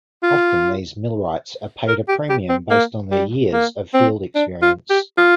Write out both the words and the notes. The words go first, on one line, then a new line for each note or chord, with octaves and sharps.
Often, these millwrights are paid a premium based on their years of field experience.
F4
A#4
G4
G4
C4
A#3
G3
A#3
C4
D4
F4
G4
F4